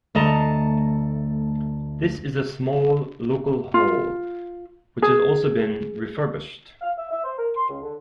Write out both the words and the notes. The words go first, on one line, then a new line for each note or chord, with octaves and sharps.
This is a small local hall, which has also been refurbished.
D2 A3 D#5 A5 A#5
F4
G#4
F5
E5
E5
C5
A#4
C6
C#2
D3